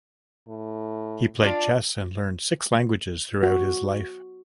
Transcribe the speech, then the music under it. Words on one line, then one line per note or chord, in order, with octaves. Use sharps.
He played chess and learned six languages throughout his life.
A2
D4 F4 D5
F#4